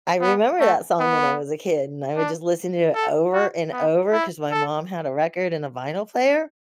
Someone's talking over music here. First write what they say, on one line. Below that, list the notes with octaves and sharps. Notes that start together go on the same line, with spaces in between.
I remember that song when I was a kid, and I would just listen to it over and over, 'cause my mom had a record and a vinyl player
B3
A3
B3
D4
A4
F#4
B3
E4
A4